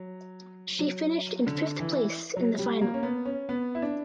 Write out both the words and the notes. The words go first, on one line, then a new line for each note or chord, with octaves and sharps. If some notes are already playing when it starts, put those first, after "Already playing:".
She finished in fifth place in the final.
Already playing: F#3
F#3
D3
E3
F#3
G3
A#3
C#4
B3
C#4
B3
E4
D4